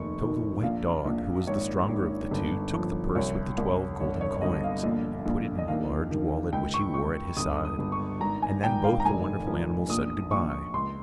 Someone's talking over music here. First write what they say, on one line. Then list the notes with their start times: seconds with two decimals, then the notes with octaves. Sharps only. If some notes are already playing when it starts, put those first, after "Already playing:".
So the white dog, who was the stronger of the two, took the purse with the twelve golden coins, and put it in a large wallet which he wore at his side, and then both the wonderful animals said good-bye.
Already playing: F1 D#2 C#6
0.21 D#3
0.63 A#1 F5
1.06 A#1
1.47 G#1 C#5
1.89 G#1
2.31 G1
2.73 F3
3.15 C2 C#5
3.58 C2
4.00 G1 C#5
4.21 C#5
4.37 C#5
4.41 G1 D#5
4.64 F5
4.83 A#1
5.26 A#1
5.58 D#5
5.68 D#2 F5
6.11 D#3
6.53 C#2 G5
6.74 C#6
6.94 C#2 C#6
7.37 G1 D#6
7.65 D#6
7.79 G1
7.92 C#6
8.21 G#1 A#5
8.42 G#5
8.64 G#1 G5
8.84 F5
9.00 A#5
9.05 F1 G#5
9.47 F3
9.89 A#1 D#6
10.31 A#1 C#6
10.74 C#2 C6